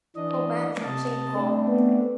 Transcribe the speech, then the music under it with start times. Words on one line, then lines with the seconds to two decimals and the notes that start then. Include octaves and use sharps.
Hoban from Saint Paul.
0.16 E3 D4 D#5
0.84 C3 D#5 A5
1.34 A3 C4 D4
1.68 B3